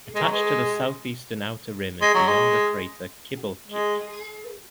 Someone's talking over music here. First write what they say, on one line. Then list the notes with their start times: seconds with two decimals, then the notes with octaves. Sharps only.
Attached to the southeastern outer rim is the younger crater Kibal'chich.
0.15 G#3
0.23 F#3
0.32 G#3
2.01 G#3
2.15 F#3
2.28 G#3
3.68 G#3